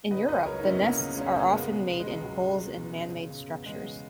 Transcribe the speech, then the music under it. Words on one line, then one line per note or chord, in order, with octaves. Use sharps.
In Europe the nests are often made in holes in manmade structures.
C#3 B4 D#5
C#2 B4 D#5
F#3 A#4 C#5
D#4
C#2 C#4 E4
B3
C#3 A#3
C#3
C#2 A#3 C#4
C#3 A#3 C#4
C#2 G#3 B3
B2
B2
G#3
C#2
F#3
F#3
F#3
B2
C#3
C#3
C#3
E2
E2 G#3
C#3